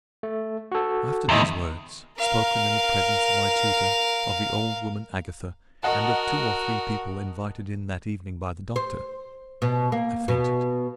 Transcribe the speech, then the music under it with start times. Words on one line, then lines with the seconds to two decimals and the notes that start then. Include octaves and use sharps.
After these words, spoken in the presence of my tutor, of the old woman Agatha, and of two or three people invited in that evening by the doctor, I fainted.
0.23 A3
0.72 F#4 A4
1.29 E2 D#3 D#5 E5 C6
2.18 A#4 F5
5.83 F#4 A#4 D#5 F#5 A5
8.76 C5
9.62 B2
9.92 A#3
10.28 B2